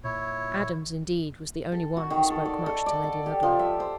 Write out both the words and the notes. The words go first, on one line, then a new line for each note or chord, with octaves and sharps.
Adams, indeed, was the only one who spoke much to Lady Ludlow.
A#2 E4 C#5
A4
F#4
D#3
A4
D5
A4
D5
A4
G4
F3
E5
C5